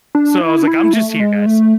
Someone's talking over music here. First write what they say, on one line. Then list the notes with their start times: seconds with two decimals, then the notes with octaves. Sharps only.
So I was like, "I'm just here, guys,"
0.15 D4
0.41 E4
0.63 D4
0.67 E4
0.93 A3
1.20 G#3
1.46 A3